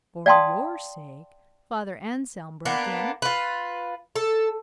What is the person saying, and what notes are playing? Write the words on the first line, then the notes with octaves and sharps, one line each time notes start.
"For your sake?" Father Anselm broke in.
D5 F5 G5 A5 C6 D#6
A#3 B3 D4
F4 B4
A4